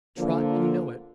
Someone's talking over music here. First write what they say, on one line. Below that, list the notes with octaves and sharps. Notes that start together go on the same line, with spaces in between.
Trot, you know it.'
D3 F3 A#3